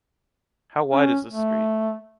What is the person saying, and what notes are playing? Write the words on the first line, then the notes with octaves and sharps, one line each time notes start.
How wide is this street?
C#4
A3